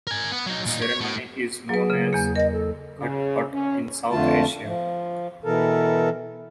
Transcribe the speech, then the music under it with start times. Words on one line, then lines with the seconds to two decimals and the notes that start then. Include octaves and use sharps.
The ceremony is known as "ghat-pat" in South Asia.
0.07 A#4 G#5
0.31 B3
0.46 F#3 D#4
0.66 A#2 D#4
0.82 C#5
1.01 A2
1.69 F#3 G#4 B4
1.90 C#3
2.13 E2 A#3
2.36 A#4 D#5 A#6
2.52 A4
2.99 C#3
3.53 C#4
4.11 F2 D3 A3 F4 A5
4.65 F3
5.44 B2 E3 A4 A#4